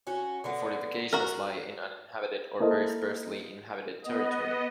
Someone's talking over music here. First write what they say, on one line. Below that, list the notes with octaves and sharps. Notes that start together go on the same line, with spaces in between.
The fortifications lie in uninhabited or very sparsely inhabited territory.
C#4 F#4
D3 A#3 B3
F#4 A#4
A#3 E4 A4 C5 D#5
B3 D#5